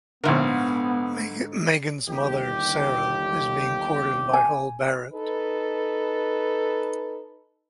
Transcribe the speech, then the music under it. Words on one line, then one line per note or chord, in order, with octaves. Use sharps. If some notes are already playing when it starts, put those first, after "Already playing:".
Megan's mother, Sarah, is being courted by Hull Barret.
A#1 G#2 D3 B3 E4 A#4
G1 D#2 G4
G#5
D#4 A4 B4